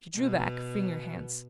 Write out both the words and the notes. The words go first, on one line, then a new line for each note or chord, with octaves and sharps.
She drew back, freeing her hands.
B2